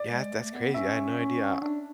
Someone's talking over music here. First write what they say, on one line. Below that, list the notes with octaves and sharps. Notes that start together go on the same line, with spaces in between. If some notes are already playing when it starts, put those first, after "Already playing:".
yeah, th that's crazy, I had no idea
Already playing: D5
G#3
A3
B3
C#4 E5
C#4
D4